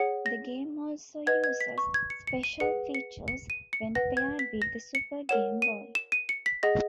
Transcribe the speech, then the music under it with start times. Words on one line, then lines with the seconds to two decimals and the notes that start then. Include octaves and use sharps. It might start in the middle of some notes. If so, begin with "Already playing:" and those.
The game also uses special features when paired with the Super Game Boy.
Already playing: G#4 C#5 F#5 C#7
0.26 A#6
1.26 B4 D#5 F#5 G#6
1.44 G#6
1.61 B6
1.78 C#6
1.94 G#6
2.10 C#7
2.27 C#7
2.43 D#7
2.60 G#4 B4 F#5 C#7
2.95 C#7
3.28 C#7
3.50 D#7
3.73 C#7
3.95 B4 F#5 A#6
4.17 G#6
4.39 B6
4.62 A#6
4.95 C#7
5.29 A#4 C#5 F#5 E7
5.62 D#7
5.95 E7
6.12 D#7
6.29 C#7
6.46 B6
6.63 G#4 D#5 F#5 A#6